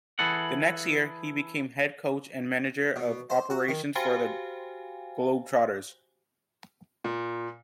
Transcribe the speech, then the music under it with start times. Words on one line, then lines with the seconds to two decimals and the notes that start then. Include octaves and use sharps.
The next year, he became head coach and manager of operations for the Globetrotters.
0.19 E3 E4 G#4 A4 F#5
2.96 B2
3.30 C5
3.50 F#4
3.68 D#3
3.95 F#4 G4 C5 F5 G5 G#5
7.04 A#2